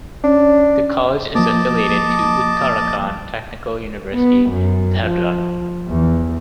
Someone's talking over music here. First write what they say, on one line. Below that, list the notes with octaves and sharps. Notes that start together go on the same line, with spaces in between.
The college is affiliated to Uttarakhand Technical University, Dehradun.
C#4 D4
F3 A#3 D#5 A5 D6
B3
F#2
F3
E2